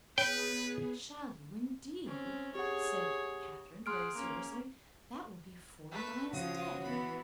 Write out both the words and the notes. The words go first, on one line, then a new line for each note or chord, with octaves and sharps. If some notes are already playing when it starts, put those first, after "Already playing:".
"Shall you, indeed!" said Catherine, very seriously: "that will be forty miles a day."
B3 G#4 B4 C#5 G5
C4 C#4
G4 G#4 C#5 F#5
G#4 F#5 C6 F6 D7
A#3 C#4
A3 B4 E5
C#3 F3 F#4 C#5 D#6
E3 B3 B5